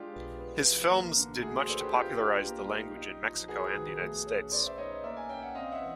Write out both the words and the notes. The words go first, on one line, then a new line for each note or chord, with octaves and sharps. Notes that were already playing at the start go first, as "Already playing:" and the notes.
His films did much to popularize the language in Mexico and the United States.
Already playing: G#3 D4 F4 G4
B3
B3
E3
A#3
D3
A3 F#4 G#4
C5
D4 A4 B4
G4 A4
B3 F4 G4
D4
A#3
D#4
D#4
F3
B3 F#4 G#4
D#3
A3
C#4
B3 C5 D5
E5
D#4 C#5 D#5
A#3 D5 E5
G#5
C#4 G5
F#5
C4 D#5 F5
E5 F#5
E3